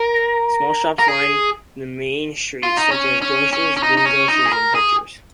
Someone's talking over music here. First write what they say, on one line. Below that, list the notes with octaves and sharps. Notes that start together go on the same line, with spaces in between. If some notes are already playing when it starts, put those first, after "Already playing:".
Small shops lined the Main Street, such as grocers, greengrocers and butchers.
Already playing: A#4
A#4
G#4
F4
D#4
C#4
C#4
C#4
C#4
D#4
D#4
C#4
D#4
G#4
A#4
G#4